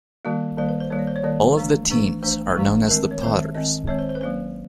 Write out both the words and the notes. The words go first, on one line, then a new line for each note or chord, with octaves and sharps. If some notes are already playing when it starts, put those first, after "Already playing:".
All of the teams are known as the Potters.
D#3 G3 A#3 F#4
D#3 G3 A#3 C5
B4
C5
D#3 G3 A#3 C#5
D5
C5
C#5
D#3 G3 A#3 D5
E3 A3 D4
E3 A3 D4
E3 A3 D4 C5
E3 A3 D4
D#3 G#3 C4 A#4
C#5
D#3 G#3 C4 C5
E5
D#3 G#3 C4 D#5
D#3 G#3 C4 C#5
C5
C5
B4
F#3 A#3 C#4 C5